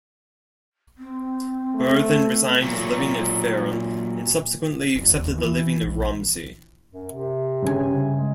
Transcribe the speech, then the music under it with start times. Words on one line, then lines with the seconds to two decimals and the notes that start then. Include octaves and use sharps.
Berthon resigned his living at Fareham, and subsequently accepted the living of Romsey.
0.98 C4
1.75 A3
2.62 A#2 F#3
4.95 F#1
5.11 D#2
5.38 E3
5.82 A#1
6.92 F#2
7.12 C3
7.62 G2 C#3 G#5
8.16 G#3